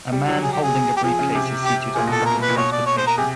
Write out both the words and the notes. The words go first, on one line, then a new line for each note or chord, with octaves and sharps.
A man holding a briefcase is seated on public transportation.
G3
F#3
G#4
G4
G#4
G4
F3 G#4
C#3
C3
G4
A#2 G#4
B2 A4
A#2
A#4
B4
A#2
B2 C#5
D5
C#5
C5
A#4
C3 G#4